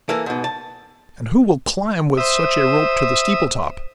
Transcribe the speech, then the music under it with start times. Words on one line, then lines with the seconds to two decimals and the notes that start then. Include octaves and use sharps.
And who will climb with such a rope to the steeple-top?
0.09 E3 A#3 A4 A#4
0.26 G#2 B2
0.44 A5
2.17 C5 E5 D#6